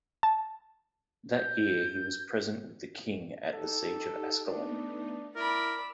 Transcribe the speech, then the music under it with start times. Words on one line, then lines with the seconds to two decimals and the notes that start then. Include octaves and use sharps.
That year he was present with the king at the Siege of Ascalon.
0.23 A5
1.36 G6
3.52 D#4 G4 A4
4.46 A3 B3 D4 D#4
5.36 E4 A#4 D5 B5 E6 F6